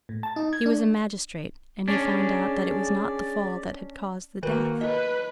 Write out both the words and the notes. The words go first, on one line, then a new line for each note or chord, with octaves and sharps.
He was a magistrate, and he found out that it was not the fall that had caused the death.
A2
A5
D#4
G#6
D4
C#4 D4 G#4 D5
D#3 A#3 F#4 A#4 B4
B4 D#5